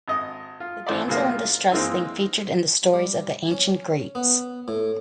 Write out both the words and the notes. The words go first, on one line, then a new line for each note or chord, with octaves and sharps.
The damsel in distress theme featured in the stories of the ancient Greeks.
G#1 D#5
F4
G#1 E3 C5 D5
F#2 A2 C3 G#3 A#3 B3
F4
E3 G#3 A#3 C4 D#4
G3
C#4
B3
A2